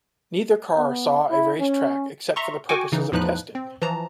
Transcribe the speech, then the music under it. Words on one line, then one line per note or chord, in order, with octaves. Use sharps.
Neither car saw a racetrack except for the purposes of testing.
B3
E4
C#4
E5 A#5 C6 C#6
F#4 G5 G#5 C#6 D6
C#3 E3 D#4
E2 A2 F3 D#4 B4 F#6
C4
E3 F3 A5 A#5